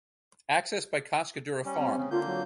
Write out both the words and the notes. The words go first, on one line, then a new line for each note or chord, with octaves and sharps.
Access by Cascadura Farm.
G3 C#4
C4
C#3
D3 A#3 F4 G6
F#3